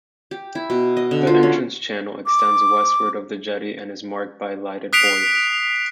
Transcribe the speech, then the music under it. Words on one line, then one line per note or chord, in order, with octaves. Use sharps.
The entrance channel extends westward of the jetty and is marked by lighted buoys.
G4
E4
B2
D#5
D3
F4
C#4
D6
D#6 F#6 B6 C7 D7 F7